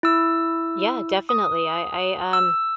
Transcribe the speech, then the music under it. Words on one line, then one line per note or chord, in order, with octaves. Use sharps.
Yeah. Definitely. I I, um,
E4 E6
D#6
E6